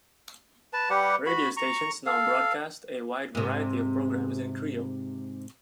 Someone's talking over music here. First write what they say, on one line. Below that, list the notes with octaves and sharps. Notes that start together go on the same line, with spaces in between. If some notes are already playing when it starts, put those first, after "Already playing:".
Radio stations now broadcast a wide variety of programs in Krio.
B4 A5
G3 G4 B4 F#5
F#4 B5
A#5 C#6
A4 F5
G#2 C3